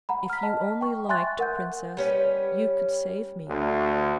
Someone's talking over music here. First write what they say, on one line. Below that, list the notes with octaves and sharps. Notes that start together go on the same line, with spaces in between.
If you only liked, Princess, you could save me.
F#5 A#5 B5
F6 B6
D#5 A5
G5 C#6
E5 G#5 C6 F#6 A6
A#4 F#5 G6
G3 C#4 B4
D2